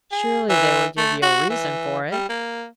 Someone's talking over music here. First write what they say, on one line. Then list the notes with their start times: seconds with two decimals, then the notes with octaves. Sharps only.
Surely they will give you a reason for it.
0.12 G#4
0.49 E3
0.97 A3
1.22 F#4
1.50 E3
2.12 G3
2.29 A#3